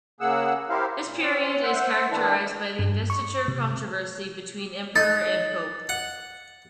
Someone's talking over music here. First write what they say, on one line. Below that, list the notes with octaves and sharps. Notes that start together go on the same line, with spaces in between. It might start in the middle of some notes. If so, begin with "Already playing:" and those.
This period is characterized by the Investiture Controversy between Emperor and Pope.
C#3 A#3 G#4 F#5 E6
E4 G4 A#4 C5 F5
A#2
C4 C#4
C5 E5 F#5
D#3 A3 D4 E4 B4
G2
C#6
C3
D#4 A6
F#5